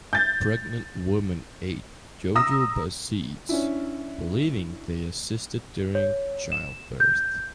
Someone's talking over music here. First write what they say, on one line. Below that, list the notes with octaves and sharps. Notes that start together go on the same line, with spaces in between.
Pregnant women ate jojoba seeds, believing they assisted during childbirth.
G6 A6
A#5 D#6 E6 A#6
C#4 D4 E4
C#5
E7
G6